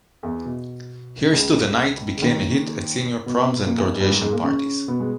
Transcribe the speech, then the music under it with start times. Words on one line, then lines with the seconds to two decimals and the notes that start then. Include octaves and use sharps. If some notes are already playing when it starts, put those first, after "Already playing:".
"Here's to the Night" became a hit at senior proms and graduation parties.
0.23 E2 E3
0.45 B2
1.33 C#2 C#3
2.17 C#3
2.22 D#2 D#3
3.26 B2 B3
3.41 B2 B3
3.55 B2 B3
3.66 A#2 A#3
3.77 E2 E3
3.89 G2 G3
4.00 G2 G3
4.11 G#2 G#3
4.21 G#2 G#3
4.33 A#2 A#3
4.43 C#3 C#4
4.88 B2 B3
5.00 G#3